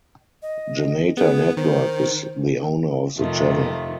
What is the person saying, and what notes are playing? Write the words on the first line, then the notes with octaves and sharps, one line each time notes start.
Janata Network is the owner of the channel.
D#5
B3 G#4
D#3 C5
F2 C3 D#3 A3 F4